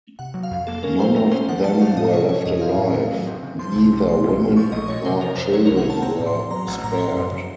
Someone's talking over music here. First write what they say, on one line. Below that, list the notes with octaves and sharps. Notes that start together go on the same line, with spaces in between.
None of them were left alive; neither women nor children were spared.
C3 F#5
F#3
F5
F2
A#3 A4
C#4 A#4
F#3 C5
A3 A#4
C#4 C5
F3 F#5
F3 A5
A3 F5
A2 D#5
C3 C#5
F3 C#5
F2 D#5
C4 F5
A2
A3
F#3
C4
C#3
F3 C6
C2
C3
F3 C6
A#1
A#2
F3 C#6
A#1 D#5
A#2 C#5
C3 C5
F3 A#4
F2 C5
F#3 C#5
A#4
C2
F#5
C3 A5
C4 A#5
A2
C6
F3
F#3 A#5
A1 F#5
A2 A#5
F3 C6
F#2
C#3